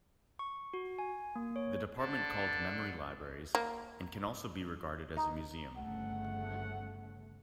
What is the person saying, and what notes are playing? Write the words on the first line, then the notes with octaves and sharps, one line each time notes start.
The department called memory libraries and can also be regarded as a museum.
C#6
F#4
G#5
A#3
C#5
D3 A5
A#3
D#4
G1 C#3 A3 F#5